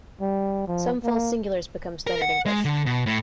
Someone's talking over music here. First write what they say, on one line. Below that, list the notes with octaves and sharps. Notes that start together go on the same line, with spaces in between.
Some false singulars become standard English.
G3
F3
A#3
A#4
F#5
G#3
D3
B2
A2